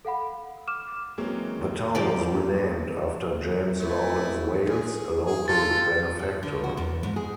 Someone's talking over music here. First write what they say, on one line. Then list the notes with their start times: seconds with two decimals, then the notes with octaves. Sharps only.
The town was renamed after James Lawrence Wales, a local benefactor.
0.05 A4 F5 F#5 B5
0.67 D6 F6 E7
1.18 E3 F#3 G#3 A#3 C4 C#4
1.95 F3 A#3 D5
3.79 A3 E4 B4
4.68 G#4
5.26 G#4
5.48 F4 G4 A4 A6
6.19 G3
6.43 D3
6.64 F#4
6.77 E2
7.03 G#2
7.16 G#4